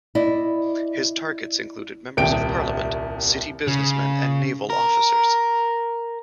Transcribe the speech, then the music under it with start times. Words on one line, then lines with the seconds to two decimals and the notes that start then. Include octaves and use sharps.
His targets included members of parliament, city businessmen and naval officers.
0.15 E4 D5 D#5
2.17 D#1 C2 G5 D7
3.67 C#3
4.70 A#4